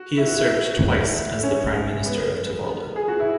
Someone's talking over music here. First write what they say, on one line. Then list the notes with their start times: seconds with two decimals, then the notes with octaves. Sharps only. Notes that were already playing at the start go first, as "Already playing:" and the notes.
He has served twice as the Prime Minister of Tuvalu.
Already playing: F#4
0.18 E4
0.28 F#4
0.38 E4
1.43 C#4
2.06 B3
2.96 G#4
3.08 F#4
3.20 E4